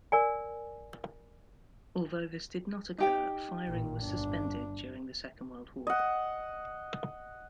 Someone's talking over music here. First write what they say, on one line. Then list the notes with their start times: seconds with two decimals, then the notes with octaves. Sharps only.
Although this did not occur, firing was suspended during the Second World War.
0.12 A#4 D5 G#5
2.98 D#4 G4 G5
3.67 A1 A#2
4.00 G1 D4
5.87 D#5 F#5